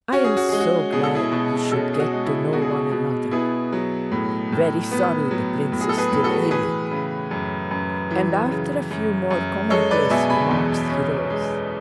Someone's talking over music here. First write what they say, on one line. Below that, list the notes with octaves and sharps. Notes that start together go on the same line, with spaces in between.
"I am so glad you should get to know one another... very sorry the prince is still ailing," and after a few more commonplace remarks he rose.
C#4 F#4
G#4
F#4
G#3 G#4
F#4
B2 G#4
A4
E4 G#4
B2
C#4 F#4 A4
G#4
F#4
G#3
E4
B2 F#4
G#4
F#4
B2
B3 E4 G#4
F#3
A2
A2
B3
F#3
A2
G#4
A4
G#4 B4
A2
F#4 A4
E3 G#4 B4
C#3
F#2
F#2
E3
C#3
F#2
F#2
G#3 A4 C#5
B4 D5
B2 E5 G#5
G#5 B5
E2
C#4
G#3